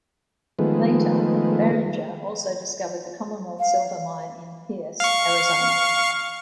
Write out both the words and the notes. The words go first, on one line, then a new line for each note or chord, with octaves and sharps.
Later, Barringer also discovered the Commonwealth Silver Mine in Pearce, Arizona.
D#3 F3 G#3 A3 B3
F5
F5 C#6